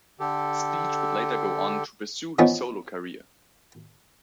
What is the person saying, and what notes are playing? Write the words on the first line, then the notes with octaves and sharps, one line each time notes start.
Speech would later go on to pursue his solo career.
D3 G4 A4
E3 F3 B3 C#4 D#4